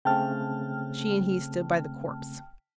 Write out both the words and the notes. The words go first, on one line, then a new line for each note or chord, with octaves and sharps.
She and he stood by the corpse.
C#3 A3 C4 G5 A5 F6